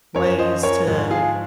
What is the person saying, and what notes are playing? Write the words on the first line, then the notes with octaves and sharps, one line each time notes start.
ways to
F#2 F3 A#4 C#5
C5 D#5
A#4 C#5
G#2 F3
F4 G#4